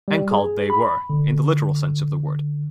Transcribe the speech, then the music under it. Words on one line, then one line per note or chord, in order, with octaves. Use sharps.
And called they were, in the literal sense of the word.
G3
G#4
B5
D3